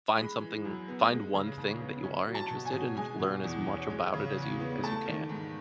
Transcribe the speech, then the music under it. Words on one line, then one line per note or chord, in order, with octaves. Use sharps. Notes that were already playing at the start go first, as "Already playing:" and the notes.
find something find one thing that you are interested and learn as much about it as you as you can.
G#3 B5
E3
F#2
B3
G#3
C#3
D#2
B3
C#4
F#3
A5
B2
G#5
B2
G#3 G#5
B2
E2
C#4
G#3
C#3
E2
B3
A3 A5
D#3
G#2